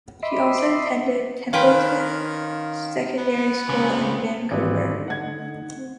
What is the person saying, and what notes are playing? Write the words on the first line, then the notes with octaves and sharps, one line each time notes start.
She also attended Templeton Secondary School in Vancouver.
D#5 E5 B5 C6 D6
D#3 C#4 B4 F5 G5 C6
B3
C#3 G#3 C4
G#1 G#2 E3 G3 B4
D3 A3 D#4
F#5 G#6
C4